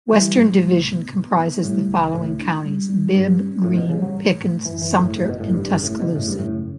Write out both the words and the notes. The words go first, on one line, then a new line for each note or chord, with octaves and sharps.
Western Division comprises the following counties: Bibb, Greene, Pickens, Sumter, and Tuscaloosa.
E3 G3
A2
C#2
B2
B2
B2
A2 G3
C#2
C#2 A2
D4
G3
G3
G2 G3
C#4
A1 A2
B2
C#3 G3
F#3
A1
A2
F#2 E3
E3
F#1
A2
F#1 A2
B2
F#1 A2
G2
G2 C#3
A2
C#3
B2
F#2 A2
G2
A2 C#3